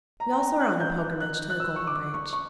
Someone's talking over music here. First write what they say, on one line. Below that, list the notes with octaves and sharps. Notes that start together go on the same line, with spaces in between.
'We also are on a pilgrimage to the Golden Branch.'
A#5
G5
A#5
F#6
G6
F#6
F#6
E6
C#6
D6
C#6
C#6